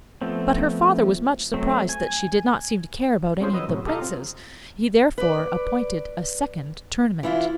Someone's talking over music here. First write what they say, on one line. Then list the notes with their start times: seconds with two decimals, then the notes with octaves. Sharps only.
But her father was much surprised that she did not seem to care about any of the Princes; he therefore appointed a second tournament.
0.21 F3 A3 B3 C4
1.54 F#3 A3 C4
1.89 G#5
3.40 G3 C4 C#4 F4 G#4 C5
3.52 F#3 B4 D#5 D#6 E6
3.68 A2 C3 F#3
3.86 G4 A4 D#5 F5 A5 A#5
3.99 C4 F4
5.18 B4 D5
7.23 E3 E4 F4